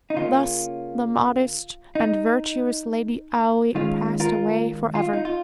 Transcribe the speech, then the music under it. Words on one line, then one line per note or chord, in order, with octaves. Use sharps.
Thus the modest and virtuous Lady Aoi passed away forever.
D#4
C#3 A#3 C#4 F4
D#4
D#3 G#3 C#4 F4
F4 A#4
F4
D#4
F4